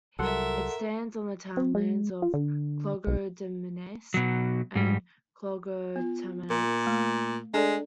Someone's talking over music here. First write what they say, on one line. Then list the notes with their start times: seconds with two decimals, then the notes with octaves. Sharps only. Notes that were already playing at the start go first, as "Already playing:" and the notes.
It stands on the townlands of Clogher Demesne and Clogher Tenements.
0.19 C2 F#3 G3 A4 A#4 E5 F#5 C6
1.57 C4
1.75 G#3
2.22 F4
2.34 D3
3.07 B1
4.14 B2 F#3
4.76 G#2 G3
5.96 B3 F4
6.50 A#2 A#4
6.87 A3
7.54 G#3 D4 A4 D5